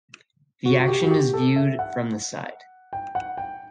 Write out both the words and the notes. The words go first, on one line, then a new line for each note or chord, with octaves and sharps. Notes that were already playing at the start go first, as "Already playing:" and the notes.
The action is viewed from the side.
F#4
F#4
G4
F#4
G4
A4
E5
F#5
G5
F#5
G5